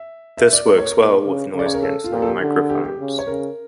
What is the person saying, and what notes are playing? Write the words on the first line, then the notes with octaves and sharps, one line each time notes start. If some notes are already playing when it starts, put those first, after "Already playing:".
This works well with noise cancelling microphones.
Already playing: E5
E5
D5
A2 A#4
C#5
A#2 A#4
C#3
C#3
D5
C#5
A#4
A4
F4
A#2 G4
A4
G4
D3
G4
G4
C#3
C#5
C#3 A#4